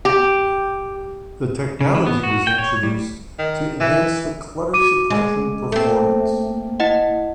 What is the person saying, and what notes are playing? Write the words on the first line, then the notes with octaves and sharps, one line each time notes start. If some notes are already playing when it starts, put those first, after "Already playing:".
The technology was introduced to enhance the clutter suppression performance.
G4
C#3
E3
B3
F#4
G5
C#5
G3
D#3
E3 E5
F#4 D6 D#7
G#3 G#4
A3 A#3 C4
E4 D#5 F#5